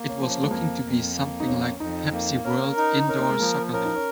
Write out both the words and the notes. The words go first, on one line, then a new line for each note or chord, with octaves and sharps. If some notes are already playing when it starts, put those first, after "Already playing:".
It was looking to be something like The Pepsi World Indoor Soccer League.
Already playing: A#3
C#4
F3
C#4
G#3
F2 A#3
F2
A#3
D#4
F2 C#4
F2 D#4
A#3
C#4 A#4
D#4
C#4 A#4
A#3
G#3
F3 A#3
C#4 A#4
D#4
C#4